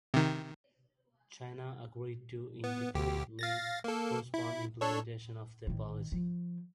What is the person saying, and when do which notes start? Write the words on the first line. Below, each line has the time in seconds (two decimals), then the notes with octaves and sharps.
China agreed to indefinitely postpone implementation of the policy.
0.14 C3 D#3
2.64 B3
2.95 D2 G4
3.39 F5 A6 A#6
3.84 A#3 A4
4.34 E4
4.81 D4 A4 C#5
5.67 A1 D#3
6.12 F3